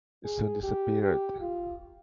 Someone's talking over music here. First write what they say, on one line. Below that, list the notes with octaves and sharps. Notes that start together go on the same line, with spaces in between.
It soon disappeared.
G#4
G4
G4
F4